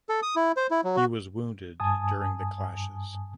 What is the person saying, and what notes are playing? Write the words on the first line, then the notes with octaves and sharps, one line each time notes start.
He was wounded during the clashes.
A4
D#6
E4
C5
E4
F#3
F#4
G2 G#5 A5 D#6